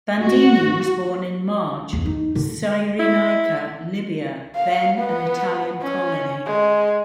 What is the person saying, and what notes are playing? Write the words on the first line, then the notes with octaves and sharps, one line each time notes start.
Bandini was born in Marj, Cyrenaica, Libya, then an Italian colony.
F#4
E2
D#4
D3
E4
F5
B3
C#4
G#3